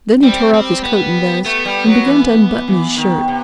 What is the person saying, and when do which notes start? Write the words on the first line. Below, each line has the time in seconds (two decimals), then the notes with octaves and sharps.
Then he tore off his coat and vest, and began to unbutton his shirt.
0.23 G3 C4
0.53 C4
0.84 B3
1.45 A3 B3
1.65 G3
1.86 F#3
2.06 E3
2.68 E3
2.97 D#3
3.28 C3